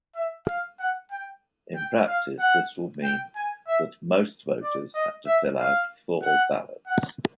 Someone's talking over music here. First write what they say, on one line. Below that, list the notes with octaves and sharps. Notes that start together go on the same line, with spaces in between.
In practice this will mean that most voters had to fill out four ballots.
E5
F5
F#5
G5
G5
F5
F#5
G5
G#5
E5
D5
D#5
E5
F5
F#5
F#5